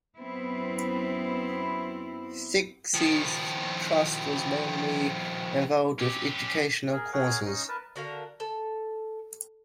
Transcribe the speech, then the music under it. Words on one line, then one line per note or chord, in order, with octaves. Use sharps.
Sexey's trust was mainly involved with educational causes.
F#2 B3 C4 E4
D#3 F3
C#4 G4
G#4 A#4
G#4 A#4 C#5 F#5
C#4 D#4 D#5
A#4 B4 A5
D3 F#4 A#4 F5
A4